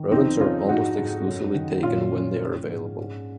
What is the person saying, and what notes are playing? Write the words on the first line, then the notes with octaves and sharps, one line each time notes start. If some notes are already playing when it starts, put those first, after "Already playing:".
Rodents are almost exclusively taken when they are available.
Already playing: D#3
F2 C4 D#4
F2 C#4 F4
G#2 D#4 F#4
G#2
F#2
D#3
A#2 C#4 F4
F3 C#4
F3
G#2
G#2